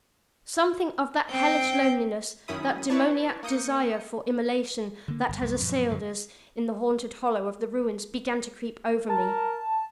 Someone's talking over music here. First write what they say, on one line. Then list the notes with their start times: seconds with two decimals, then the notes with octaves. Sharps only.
Something of that hellish loneliness, that demoniac desire for immolation that had assailed us in the haunted hollow of the ruins began to creep over me.
1.32 C4 G5
2.48 F#2 D#3 C#4 E4 B5 D#6
2.89 E4 B4 C#5 D5 A5 C#6
3.43 A#3 D#6 G6 C#7
5.08 D3 A#3
5.28 G1
5.41 C2 F#2
5.61 F#2 A#2 F3
5.89 F#2 D3 F#3
9.09 A#4 A5